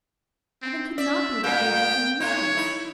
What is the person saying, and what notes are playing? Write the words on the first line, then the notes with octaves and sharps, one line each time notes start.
Heaven could not be what Ruby had been used to.
C4
D5 E5
A#2 A#3 B3 G5
A2 D#4 C#5
D#4 E4